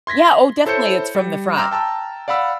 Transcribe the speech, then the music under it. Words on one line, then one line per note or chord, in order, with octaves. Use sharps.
Yeah, oh, definitely, it's from the front.
C6 G#6 A#6 B6
E4 A4 C5 C#5 G6 C#7
G3
G5 A#5 C6 D6 E6 F6
G5 A5 A#5 E6
D5 F5 F#5 B5 E6